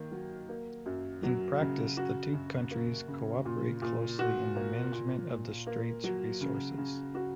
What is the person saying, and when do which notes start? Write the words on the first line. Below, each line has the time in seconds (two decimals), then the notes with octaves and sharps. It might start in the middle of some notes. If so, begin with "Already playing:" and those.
In practice the two countries co-operate closely in the management of the strait's resources.
Already playing: D#3 A#3
0.12 F#3
0.49 A#3
0.86 F#2
1.23 F#3
1.60 C#3
1.97 F#4
2.33 F#2
2.71 A#3
3.08 C#3
3.45 A#2
3.82 A#2
4.19 F#4
4.56 A#3
4.92 A#2
5.29 A#2
5.67 A#3
6.04 F#3
6.41 C#3
6.78 C#3
7.15 F#4